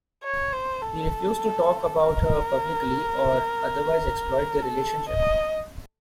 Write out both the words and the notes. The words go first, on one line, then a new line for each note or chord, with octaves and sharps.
He refused to talk about her publicly or otherwise exploit their relationship.
C#5
C5
A4
A#4
A4
D#5